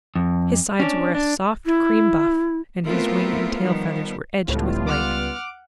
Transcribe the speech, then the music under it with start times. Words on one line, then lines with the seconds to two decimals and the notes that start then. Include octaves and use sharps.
His sides were a soft cream-buff, and his wing and tail feathers were edged with white.
0.16 F2
0.80 C#4 D4
1.15 D4
1.66 E4
2.85 A3 B3 C4 E4 F4 A#4
3.61 D#3 F3 G3 B3
4.48 C#2 A2 G3 B3 F4
4.87 F#5 D6 F6